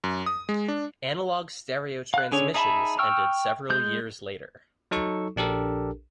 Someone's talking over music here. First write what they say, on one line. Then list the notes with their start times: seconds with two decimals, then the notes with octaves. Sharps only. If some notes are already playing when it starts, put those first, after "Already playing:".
Analog stereo transmissions ended several years later.
0.04 F#2
0.26 D#6
0.49 G#3
0.68 D4
2.14 F5 F#6
2.32 D3 C#4 G#4 C#5
2.54 D#4 G#4 E5 A5 B5
2.99 G5 C#6 E6 F6
3.70 G#3 G6
4.91 F#3 D#4 A4 C#6
5.36 A#1 D4 G4 A4 A#4